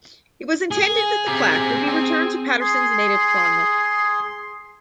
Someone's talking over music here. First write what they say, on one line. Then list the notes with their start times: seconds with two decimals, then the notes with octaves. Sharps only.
It was intended that the plaque would be returned to Patterson's native Clonmel.
0.71 G#4
1.28 C4 G4 A#5
1.87 C4
2.61 G#4 C6